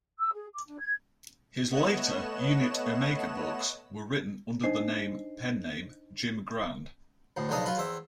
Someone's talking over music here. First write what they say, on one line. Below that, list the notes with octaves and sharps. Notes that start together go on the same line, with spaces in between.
His later "Unit Omega" books were written under the name pen name Jim Grand.
E6
G#4
D6
D4
G#6
A3 B3 C#5 D#5 F#6 E7
D4 D#4 C5 D#5 C7
D2 A2
B1 F2 C#3 D4 A#5 D#6
F#3 F4 B4
E2 C4 E5